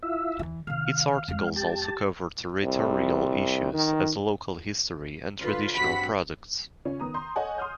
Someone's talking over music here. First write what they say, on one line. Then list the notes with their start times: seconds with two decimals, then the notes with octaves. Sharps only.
Its articles also cover territorial issues as local history and traditional products.
0.03 E4 F4 E5
0.39 E2 E3
0.67 C3 D#3 F5
1.28 F2 G#3
1.56 G4 A5
2.63 C2
3.73 D#3
5.40 D3 F4 B4
5.75 G2 C4 F#4 F#5 B5 B6
6.85 C#3 C#4 F4
7.00 D#3 B3 A#5 D#6
7.14 A#5 C6 G6
7.36 A4 C#5 D#5 F#5 G#5
7.58 C6 D#6 F6 G6